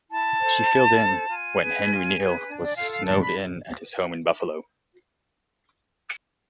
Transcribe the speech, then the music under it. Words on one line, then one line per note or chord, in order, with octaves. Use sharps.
She filled in when Harry Neale was snowed in at his home in Buffalo.
E4 A5
A4 C5
E4
A4 C5
F4 G#5
G#4 B4
F4
G#4 B4
D4
D5
F4 A4 F5
F5
D4 A5
B5